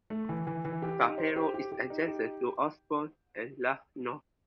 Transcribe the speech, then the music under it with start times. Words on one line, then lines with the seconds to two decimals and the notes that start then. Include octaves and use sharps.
Taperoo is adjacent to Osborne and Largs North.
0.10 A3
0.29 E3
0.47 E3
0.65 E3
0.82 G4
1.00 D#4
1.18 C5
1.36 G4
1.54 G4
1.72 G4
1.90 D#4
2.08 G4